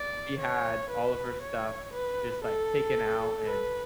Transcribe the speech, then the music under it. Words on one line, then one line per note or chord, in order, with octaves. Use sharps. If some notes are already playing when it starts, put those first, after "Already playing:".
she had all of her stuff just, like, taken out, and,
Already playing: D5
C#5
B4
C#5
B4
A4
B4